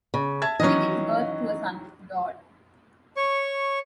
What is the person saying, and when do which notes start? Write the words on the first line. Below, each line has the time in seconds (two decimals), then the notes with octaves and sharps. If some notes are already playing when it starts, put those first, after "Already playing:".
She gives birth to a son, Dodd.
0.14 C#3
0.42 E5 A5 G#6
0.60 D#3 E3 F#3 C#4 D#5
3.17 C#5 C#6